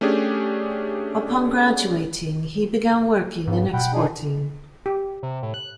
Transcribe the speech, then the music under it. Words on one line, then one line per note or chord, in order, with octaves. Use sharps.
Upon graduating, he began working in exporting.
A3 C#4 D4 G4 G#4
G#2 C#3 B3
B2 F#5 G5 B5
D4 D#4 G#4
G4
C3
A2
F#6